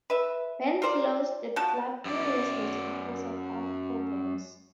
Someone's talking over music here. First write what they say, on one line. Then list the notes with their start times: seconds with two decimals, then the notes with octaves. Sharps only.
Ben closed the club three years later because of health problems.
0.10 B4 E5
0.82 F4 A#4 C5 D5
1.56 F3 F#4 A5
2.05 F#2 D5